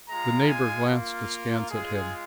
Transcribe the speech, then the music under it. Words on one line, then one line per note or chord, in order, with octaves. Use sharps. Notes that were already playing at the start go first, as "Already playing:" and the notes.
The neighbour glanced askance at him.
G#3 F4 A#5
G#5
A#3 F4
G#3 F4 G#4